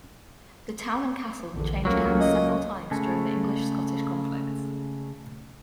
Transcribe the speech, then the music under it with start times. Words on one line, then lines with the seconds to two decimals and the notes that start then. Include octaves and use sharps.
The town and castle changed hands several times during the English-Scottish conflicts.
1.53 A#1 E2 D3
1.85 C#2 F#3 A3 A#3 C#4
2.20 D#5
2.91 C#3 G#3 A3 A4 G#5